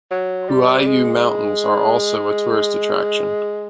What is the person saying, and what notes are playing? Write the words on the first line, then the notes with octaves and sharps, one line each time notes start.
Huaiyu Mountains are also a tourist attraction.
F#3
G3
G#3